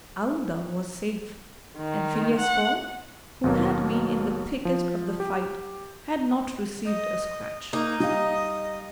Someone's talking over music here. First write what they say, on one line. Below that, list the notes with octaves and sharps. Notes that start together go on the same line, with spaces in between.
Aouda was safe; and Phileas Fogg, who had been in the thickest of the fight, had not received a scratch.
D#3
F#5
D#2 B2 F#3 A#3
F3
G4
D#5
A#3 D#4
G3 D#5 F5